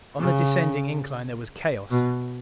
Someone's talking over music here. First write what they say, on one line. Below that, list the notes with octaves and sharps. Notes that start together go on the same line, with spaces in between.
On the descending incline there was chaos.
C#3
B2